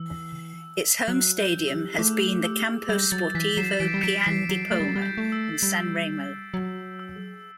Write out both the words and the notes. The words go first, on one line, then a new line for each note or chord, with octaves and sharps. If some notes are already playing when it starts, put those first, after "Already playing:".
Its home stadium has been the "Campo Sportivo Pian di Poma" in Sanremo.
Already playing: E3 E6
F#3 F#6
G6
E6
A3 D6
E6
G3 G6
F#3 A6
E3 B6
F#3 C7 E7
E3 B6 D7
G3
F#3 B6 D7
E3 C7
F#3 C7
A3 A6
G3
F#3
G3
G6
A3
E6
G3
F#3 E6
E6